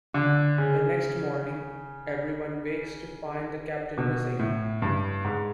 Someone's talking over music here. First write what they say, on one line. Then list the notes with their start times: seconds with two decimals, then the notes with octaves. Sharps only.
The next morning, everyone wakes to find the Captain missing.
0.14 D3
0.58 C#3
3.98 B2
4.39 A2
4.82 G2
5.25 G#2